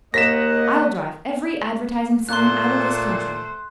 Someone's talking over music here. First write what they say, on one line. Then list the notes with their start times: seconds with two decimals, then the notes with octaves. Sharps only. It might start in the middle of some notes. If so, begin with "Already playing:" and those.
"I'll drive every advertising sign out of this country."
0.14 D#2 A#3 D#5 F#5 A#6 B6 E7
2.29 A#2 A3 C5 C6 F#6